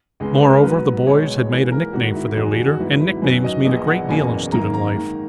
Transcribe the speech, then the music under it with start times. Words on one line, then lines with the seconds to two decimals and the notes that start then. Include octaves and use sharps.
Moreover, the boys had made a nickname for their leader, and nicknames mean a great deal in student life.
0.20 C#2 C#3 G#3 B3
0.34 B4
0.49 A#4
0.63 G#2 F#3 B3 B4
1.07 C#2 B2 G#3 C#5
1.50 G#2 E3 A#3 B4
1.72 A#4
1.93 G#1 G#2 D#3 A#3 F#4
2.15 E4
2.36 F#1 E2 D#3 F#4
2.45 G#4
2.51 F#4
2.65 F#4
2.79 G#1 G#2 F#3 B3 E4
3.01 E4
3.22 F#2 D#3 F#3 C#4 B4
3.44 D#5
3.65 A#1 A#2 F#3 B3 D#5
3.87 F#5
4.09 F#1 E2 B2 A#3 C#4 G#5
4.52 G#1 F#2 D#3 A#3 A#5
4.74 A#5
4.95 G#2 D#3 A#3